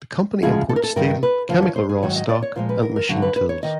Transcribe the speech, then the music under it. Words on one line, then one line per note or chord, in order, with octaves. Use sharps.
The company imports steel, chemical raw stock, and machine tools.
D2 C#3 F3 G#3 G#4
A4
A#4
A4
G2 D#3 G3 A#4
B4
F#2 D3 F3 C5
C#5
C5
G#4
G#2 D#3 F#3 C#5
D#5
D5
C#5
A#2 F3 G#3 C5
B4
A#4
A#4
G2 D3 F#3
B4
B4
C#5
D#3 D#5